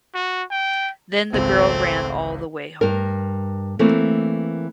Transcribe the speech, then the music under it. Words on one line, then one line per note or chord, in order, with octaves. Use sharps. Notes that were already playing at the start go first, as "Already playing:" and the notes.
Then the girl ran all the way home.
F#4
G5
G#1 C#2 A3 C4
G2 A#4
E3 A3 A#3 C4